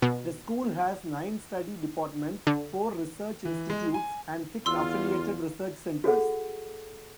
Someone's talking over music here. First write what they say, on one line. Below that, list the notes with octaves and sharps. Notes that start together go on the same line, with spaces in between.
The school has nine study departments, four research institutes and six affiliated research centres.
B2
D3
E3
G#3
G#5
E2 F4 C6 E6
F#4 G#4 A4 F#5